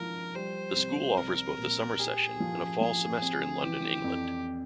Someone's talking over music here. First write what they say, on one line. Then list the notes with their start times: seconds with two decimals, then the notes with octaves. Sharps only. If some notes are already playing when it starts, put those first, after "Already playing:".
The school offers both a summer session and a fall semester in London, England.
Already playing: G#2 F3 E4 A#4
0.35 G3 C5
0.76 C2
1.17 C2 A#4
1.58 A#2
1.99 G4 G#4
2.40 F3
2.81 F3 G#4
3.22 C4
3.63 E3 G4
4.04 F2